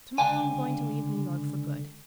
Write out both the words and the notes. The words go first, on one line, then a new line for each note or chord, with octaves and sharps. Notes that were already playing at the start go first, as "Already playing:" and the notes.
To-morrow I'm going to leave New York for good.
C#2 D3 F5 G5 G#5